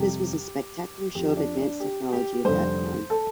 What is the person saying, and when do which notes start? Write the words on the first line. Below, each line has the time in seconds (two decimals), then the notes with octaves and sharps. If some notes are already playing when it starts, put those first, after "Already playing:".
This was a spectacular show of advanced technology of that time.
Already playing: F2 C3 G3 G4
1.15 F2 F3 G4
1.37 D4
1.59 D4
1.80 G4
2.12 G4
2.45 F1 F2 D3 G3 C5
3.10 A4